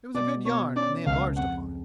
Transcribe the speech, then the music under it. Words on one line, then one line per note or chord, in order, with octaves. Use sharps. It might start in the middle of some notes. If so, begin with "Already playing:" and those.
It was a good yarn, and they enlarged upon it.
B2 D5
B2 C#5
C#4 D5
C#2 F5
F2 F#5